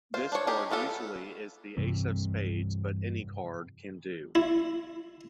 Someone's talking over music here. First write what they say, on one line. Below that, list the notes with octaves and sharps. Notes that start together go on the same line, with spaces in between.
This card usually is the Ace of Spades, but any card can do.
F4 C5
D4 C#5
D#4 G4 G#4
G#3 B3 F4 A4
G2 C3 E3
E4